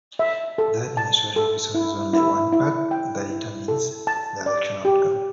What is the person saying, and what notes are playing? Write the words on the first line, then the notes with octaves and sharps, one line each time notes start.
The administrative resource is only one part that determines the election outcome.
E5
A4
A5
A4
E4
E4
E4
G5
E4
A4
A5
D5
G4